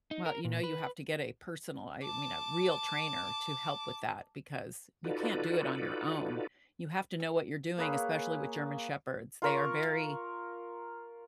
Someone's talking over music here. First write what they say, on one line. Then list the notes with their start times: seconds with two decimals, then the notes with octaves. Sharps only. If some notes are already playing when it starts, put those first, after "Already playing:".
Well, you know, you have to get a personal I mean, a real trainer to help with that because you can't do it on your own. You have to know what you're doing, especially with German shepherds. They are very
0.11 D#4
0.26 A#4
0.45 A#2
0.63 B4
2.03 A5 D6
5.04 D#4 F4 F#4 A4 B4 D5
7.78 A#3 G#4 B4 C#5
9.42 F4 A#4 C#6